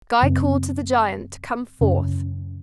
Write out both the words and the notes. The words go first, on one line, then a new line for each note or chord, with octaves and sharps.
Guy called to the giant to come forth.
F#2 C#3 C4
F#2 C#3 C#4